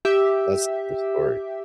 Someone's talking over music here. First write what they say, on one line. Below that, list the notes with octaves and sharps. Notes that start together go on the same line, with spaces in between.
That's another story.
G4 E5